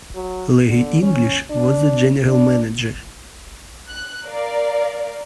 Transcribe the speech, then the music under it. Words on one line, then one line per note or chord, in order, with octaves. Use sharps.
Larry English was the general manager.
F#3
D3
C#4
D4
D4
F#6
A#4 D5 F5